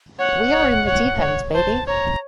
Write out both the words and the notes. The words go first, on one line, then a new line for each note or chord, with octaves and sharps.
We are in the deep end baby.
C#5 F#5
C#5
C#5
C#5
C5 A5
C#5 A#5